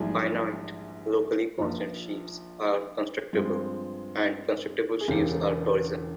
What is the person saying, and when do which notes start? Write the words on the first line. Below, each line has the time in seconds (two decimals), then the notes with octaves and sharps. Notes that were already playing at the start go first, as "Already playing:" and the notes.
Finite locally constant sheaves are constructible, and constructible sheaves are torsion.
Already playing: A#1 G#2 E3 G3 G#4
1.57 A#1 A#2 F3 F4
3.33 G2 F3 G#3 C4 F4
5.00 G#4
5.08 E1 E2 C#3 G4